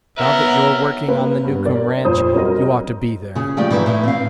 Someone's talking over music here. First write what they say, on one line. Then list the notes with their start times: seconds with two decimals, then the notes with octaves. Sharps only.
Now that you're working on the Newcomb ranch you ought to be there.
0.18 B3 A#4 B4 C#5 E5 F#5
1.08 A#3 C4 B4
1.44 G2 B3
1.65 A#4 D5
2.05 F2 A#2 C5 C#5 D#6
2.34 F#3 G3 C4 A#4 D#5
3.35 C#3 G#4
3.57 F3 G#3 A3 G4 G#4 D5
3.70 G#2 C3 D#3 E3
3.86 A2
4.03 C4 F5